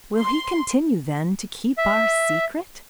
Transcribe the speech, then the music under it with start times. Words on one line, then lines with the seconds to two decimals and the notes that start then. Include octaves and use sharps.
Will he continue, then, to keep our secret?
0.20 C6
1.78 E5